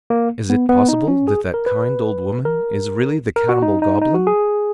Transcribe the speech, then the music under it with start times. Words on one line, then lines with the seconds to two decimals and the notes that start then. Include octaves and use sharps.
Is it possible that that kind old woman is really the cannibal goblin?
0.10 A#3
0.50 B3
0.69 B3
0.89 D#4
1.08 C#4
1.28 G#4
1.54 A#4
1.66 B4
2.45 A#4
3.36 A#4
3.49 F#4
3.62 D#4
3.82 D#4
4.02 D#4
4.14 F#4
4.27 G#4